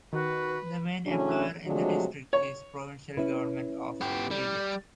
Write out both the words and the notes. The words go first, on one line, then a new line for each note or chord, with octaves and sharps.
The main employer in the district is the provincial Government of Quebec.
D#3 F#4 B4
A2 C#3 F#3 C#4 D4
C3 F3 F#3 G#3 A3 D4
C#5
C#4 E4 B4
B3 G4
G3